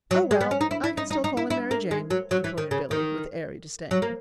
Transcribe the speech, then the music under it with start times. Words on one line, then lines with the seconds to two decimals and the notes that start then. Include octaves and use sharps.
"Oh, well, I can still call him 'Mary Jane,'" retorted Billy, with airy disdain.
0.11 F#3
0.31 G#3
0.41 B3
0.51 C#4
0.61 D#4
0.71 E4
0.84 E4
0.97 D#4
1.10 D#4
1.24 D#4
1.37 E4
1.50 E4
1.71 A#3
1.91 G#3
2.10 F#3
2.31 F#3
2.44 E3
2.58 D#3
2.71 C#3
2.91 D#3
3.91 F#3
4.02 A#3